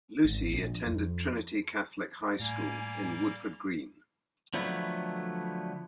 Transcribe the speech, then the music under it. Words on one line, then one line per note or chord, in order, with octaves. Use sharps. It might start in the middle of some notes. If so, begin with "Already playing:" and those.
Lucy attended Trinity Catholic High School in Woodford Green.
G#1
A#1
F2
A2 G3 A#3 G#5 A#5
D3 F3 F#3 A3 B3 E4